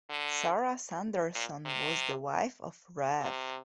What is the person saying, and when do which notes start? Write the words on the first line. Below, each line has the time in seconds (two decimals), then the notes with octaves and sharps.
Sarah Sanderson was the wife of Rev.
0.10 D3
1.35 A#2
1.66 C3
3.20 C3